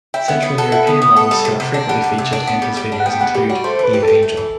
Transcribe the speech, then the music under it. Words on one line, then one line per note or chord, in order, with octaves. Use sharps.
Central European models who are frequently featured in his videos include Eve Angel.
E4 G5
B3 F#5
B3
A4 F#5
E4 F#5
B3
B3
A4
G3
C3
C3
D4
G3 F#5
C3
C3
D4
B3
G3
G3
D4
F#5
B3 G5
G3 F#5
G3 G4
D4 F#4
A3 C5
E3 B4
G4
C4 A4
A3
E3